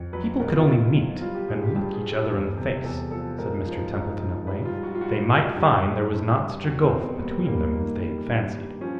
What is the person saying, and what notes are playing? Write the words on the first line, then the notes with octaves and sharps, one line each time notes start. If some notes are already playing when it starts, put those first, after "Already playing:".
"If people could only meet, and look each other in the face," said Mr Templeton at length, "they might find there was not such a gulf between them as they had fancied."
Already playing: F2
F#3 B4
B2 A#4
F4
B2 E4
F#3
G3 F4
G4
G2 G#4
G4
G2 G4
G#4
G3
A4
E2
C3
E2 A4
F3 A4
G#2 A#4
F3
G#2
F3
G3 B4
F4
G3
F#4
F4
G3 F#4
G3
G2 G4
G2
G2
G2
E2 F#4
C4
B2
B3
G3 A#3
G3 A#3
D#3 A#3
G3
G2
G3
F3 C#4